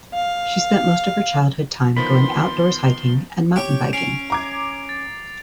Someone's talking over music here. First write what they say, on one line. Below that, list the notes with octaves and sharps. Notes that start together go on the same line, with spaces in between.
She spent most of her childhood time going outdoors hiking and mountain biking.
F5
D#3 F3 B3 B5 C6
G4 C#5
C#4 C7 D7 F7
A#5 D6 G#6
A6